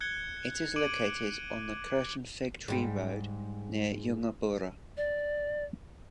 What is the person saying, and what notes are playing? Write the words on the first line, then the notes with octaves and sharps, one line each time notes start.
It is located on the Curtain Fig Tree Road, near Yungaburra.
F#6 G#6 C#7 G7
D6 D7 D#7 F#7
G#2 G3
D5